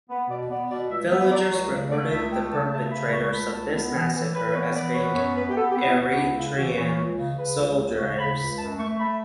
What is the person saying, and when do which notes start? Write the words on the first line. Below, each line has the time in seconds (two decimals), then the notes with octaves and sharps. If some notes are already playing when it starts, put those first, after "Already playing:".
Villagers reported the perpetrators of this massacre as being Eritrean soldiers.
0.09 B3 B4
0.29 B2 D5
0.50 B3 D5
0.70 B2 D5
0.90 C#2 E5
1.10 B3 E5
1.30 F#3 D5
1.51 C#2 C#5
1.71 C#3 D5
1.91 A3 D5
2.11 C#2 E5
2.31 A3 G5
2.52 C#3 A5
2.72 A3 A5
2.92 C#3 B5
3.05 B5
3.12 C#2 C#6
3.33 A3 B5
3.53 C#2 A5
3.73 B3
3.93 E3
4.13 E3
4.34 E3 B4
4.47 B4
4.54 B3 C#5
4.74 E3 D5
4.94 B3 C#5
5.14 F#2 C#5
5.35 B3 B4
5.49 G4
5.55 B3 A4
5.70 G4
5.75 B3
5.85 E4
5.96 B3 F#4
6.15 C#2 D4
6.36 C#3 E4
6.56 E3 F#4
6.72 B4
6.76 E3 C#5
6.96 C#2
7.17 C#3
7.37 C#3 B4
7.57 C#2
7.77 C#2
7.97 C#3 C#5
8.18 C#3 B5
8.38 C#2 B5
8.58 F#2 A5
8.78 A3 C#6
8.98 A3 B5